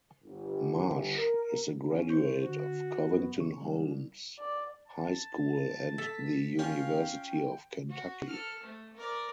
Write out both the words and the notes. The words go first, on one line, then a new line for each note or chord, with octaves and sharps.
Marsh is a graduate of Covington Holmes High School and the University of Kentucky.
G1
A#4
C#4
C5 C#6 G6
D3 F#4
F#2 B3
C#2 C#3 C#6
C2 C#3 G#3
D5
A5
A4 B6
C#4 F4 F5 G5
F#4
A4 F6
A3
A#4 D5